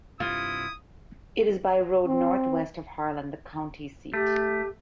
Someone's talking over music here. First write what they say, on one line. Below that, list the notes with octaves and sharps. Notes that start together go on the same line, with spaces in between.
It is by road northwest of Harlan, the county seat.
G2 C3 E4 F4 D#6
C4
A3 G4